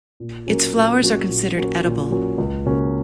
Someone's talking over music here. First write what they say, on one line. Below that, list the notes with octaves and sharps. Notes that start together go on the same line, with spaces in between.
Its flowers are considered edible.
A#2
F#3 A#3 C#4 F#4
A#2
F#3 A#3 C#4 F#4
A#2
F#3 A#3 C#4 F#4
A#2
F#3 A#3 C#4 F#4
C#2
C#3 A#3 C#4 F#4